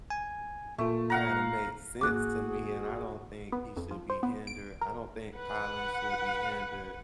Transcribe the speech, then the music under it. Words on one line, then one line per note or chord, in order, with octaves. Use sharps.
kinda made sense to me, and I don't think he should be hindered. I don't think Collin should be hindered.
G#5
A#2 A3 A#3 F4
F5 F#5 A#5
G#1 A#3 F#4 G#4 D6 F#6
B3
F2
F3
C5
B3
D7
A#4
B4 F#5